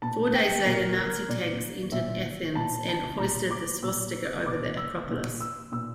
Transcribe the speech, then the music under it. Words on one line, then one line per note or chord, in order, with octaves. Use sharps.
Four days later Nazi tanks entered Athens and hoisted the swastika over the Acropolis.
A#2 A5
G5
A#2 A#4
A#4
A#2 D5
A#2 E5
A#2 A5
A5
A#2 A#5
D6
A#2 E6
A#2 D6
E6
A#2
E6
A#2 E6